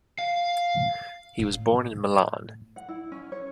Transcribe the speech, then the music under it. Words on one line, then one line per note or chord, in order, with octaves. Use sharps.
He was born in Milan.
F5
A2 A3
F#5
E4
C#4
C#5